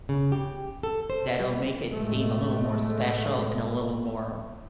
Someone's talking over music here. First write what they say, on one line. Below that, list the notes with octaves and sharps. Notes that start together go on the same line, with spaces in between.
that'll make it seem a little more special and a little more
C#3
G4
A4
C5
G3
A2 G#3 A3